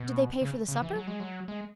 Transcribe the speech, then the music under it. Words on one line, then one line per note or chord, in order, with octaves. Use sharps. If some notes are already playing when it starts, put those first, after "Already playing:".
"Did they pay for the supper?"
Already playing: B2
C#3
C#3
E3
F#3
G#3
F#3
G#3